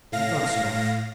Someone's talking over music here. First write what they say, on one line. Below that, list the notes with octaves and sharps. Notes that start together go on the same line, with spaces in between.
I thought so.
A2 F5 A#6